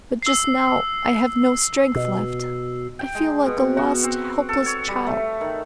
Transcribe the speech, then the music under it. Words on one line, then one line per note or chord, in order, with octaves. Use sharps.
But just now I have no strength left. I feel like a lost, helpless child.
E6 C7
B2
G5
G#3
B2
F#4
C4
A4
C#5
G3
A3
D#3